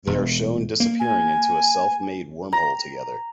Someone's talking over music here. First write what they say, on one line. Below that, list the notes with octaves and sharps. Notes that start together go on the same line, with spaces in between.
They are shown disappearing into a self-made wormhole together.
E1
A#3
G#5
A#5